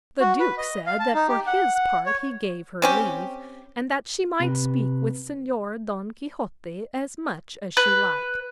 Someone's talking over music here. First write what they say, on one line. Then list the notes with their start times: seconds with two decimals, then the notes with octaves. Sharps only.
The duke said that for his part he gave her leave, and that she might speak with Senor Don Quixote as much as she liked.
0.20 F#4
0.40 B4
0.58 D#5
0.86 F5
1.00 A5
1.14 D#4
1.29 G4
1.47 F#5
1.75 F#5
2.06 C#5
2.82 C4 C#4 G4
4.40 C3 B4
7.77 B4